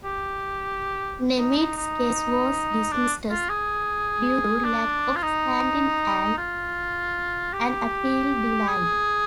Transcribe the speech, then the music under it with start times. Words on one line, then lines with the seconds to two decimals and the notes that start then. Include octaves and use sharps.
Nemitz's case was dismissed due to lack of standing and an appeal denied.
0.05 G4
1.38 D#4
1.57 D#4
1.77 D#4
2.92 D4
3.31 F4
3.49 G#4
4.65 D4
5.16 F4
5.23 D#4
6.38 F4
7.53 G4
8.69 G#4